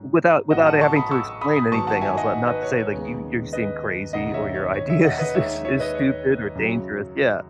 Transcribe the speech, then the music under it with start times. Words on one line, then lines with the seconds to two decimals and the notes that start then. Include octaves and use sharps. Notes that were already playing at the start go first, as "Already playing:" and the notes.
Without without having to explain anything else. Li not to say, like, you you seem crazy, or your idea is is is stupid or dangerous. Yeah.
Already playing: G#2 F#3 C#4
0.51 A1 A2 F#3 B3 D#5 F#5
0.66 F#5 A5
0.81 A5 C#6
0.96 B5 D#6
1.11 C#6 E6
1.41 B5 D#6
1.56 B5 D#6
1.72 G#1 G#2 D#3 F#3 B3 A5 C#6
1.87 F#5 A5
2.01 E5 G#5
2.17 D#5 F#5
2.47 B4 D#5
2.63 C#5
2.78 C#5
2.93 D#2 C#3 G#3 B3
3.53 B4 D#5
4.13 E1 D#2 C#3 D#5 F#5
4.34 C#5 E5
4.54 C#5
4.74 C#5
4.89 C#5 E5
5.04 D#5 F#5
5.19 B4 D#5
5.34 D#2 D#3 G#3 C#5 E5
5.65 C#5 E5
5.80 B4 D#5
5.95 C#5
6.55 F#2 C#3 F#3